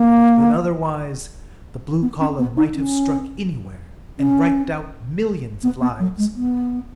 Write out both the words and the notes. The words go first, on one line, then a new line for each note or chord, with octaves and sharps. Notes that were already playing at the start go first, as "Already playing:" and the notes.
Had it been otherwise, the blue column might have struck anywhere, and wiped out millions of lives!
Already playing: A#3
B3
C#4
B3
D#4
C#4
C#4
B3
B3
F#3
G#3
B3